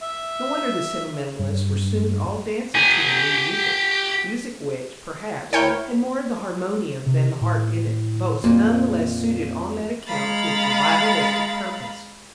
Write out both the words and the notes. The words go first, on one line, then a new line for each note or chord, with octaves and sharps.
No wonder the sentimentalists were soon all dancing to the new music--music which, perhaps, had more of the harmonium than the harp in it, but was none the less suited on that account to its revivalistic purpose.
E5
G2
G4 G#5
D2 E4 A#4 C#5 G5
C3
A2
F2 A#2
G#3 F5 A#5 B5 A6